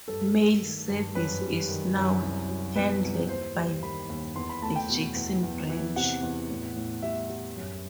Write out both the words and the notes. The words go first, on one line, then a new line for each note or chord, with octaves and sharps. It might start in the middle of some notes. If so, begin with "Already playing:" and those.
Mail service is now handled by the Jackson branch.
G2 A4
A3
D#3
G2
F#2 B4
G3
D#3
F#2
C2
F#3
B2 B4
C2
D#2 C5
G3
D#3 B5
D#2
E2 C6
B5
A3 A5
G5
B2
E2
E2
E3
C3 F#5
E2
A2
A2
G3 E5
G3
F#2